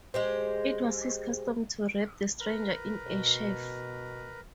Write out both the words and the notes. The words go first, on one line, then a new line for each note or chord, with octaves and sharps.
It was his custom to wrap the stranger in a sheaf.
G#3 G4 C5
A#4 B4
B2